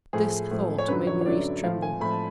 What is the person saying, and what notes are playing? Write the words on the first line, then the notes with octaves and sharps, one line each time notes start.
This thought made Maurice tremble.
A2 F3 G#4
A2 F3
C#5
F#2 D3 F#3 B4
C#5
C#5
F#2 D3 F#3 D5
A2 F3 F5
G#5
A2 F3 B5
A5